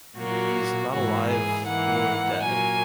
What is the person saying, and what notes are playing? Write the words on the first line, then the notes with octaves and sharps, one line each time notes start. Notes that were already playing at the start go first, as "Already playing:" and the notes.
He's not alive or dead.
A#2 F#3 A#3 F#4
G#2 E3 A#3 F#4
G#4
G#2 E3 A#3 F#5
A#2 F#3 A#3 G#5